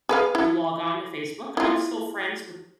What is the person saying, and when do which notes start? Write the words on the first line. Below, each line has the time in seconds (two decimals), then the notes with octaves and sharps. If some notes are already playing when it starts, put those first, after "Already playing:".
you log on to Facebook I'm still friends with
0.09 G#4 B4 F5
0.35 E4
1.57 E4 F4